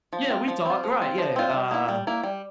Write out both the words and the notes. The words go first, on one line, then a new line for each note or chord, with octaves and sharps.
Yeah. We talked right. Yeah, uh
F3
C4 F4
F3
C4 F4
F3
C4 F4
F3
C4 F4
G3
A#3 E4
G3
A#3 E4
G3